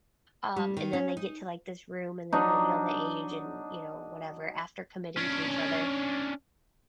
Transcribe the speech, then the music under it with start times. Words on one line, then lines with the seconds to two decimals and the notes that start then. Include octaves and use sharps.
um, and then they get to, like, this room and they reveal the age, and, you know, whatever after committing to each other,
0.56 G3
0.77 D#3
0.93 C#4
1.17 D#4
2.33 F#3 D4 D#4
5.17 C#4 D4